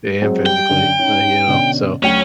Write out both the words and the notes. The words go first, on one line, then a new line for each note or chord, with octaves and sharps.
and physically, like, you know, so,
F#3 G#3 C4
G3 G5
F#2 D3
C#4 D#4
B2 D3 C#4
D2 F#3 C#4 G5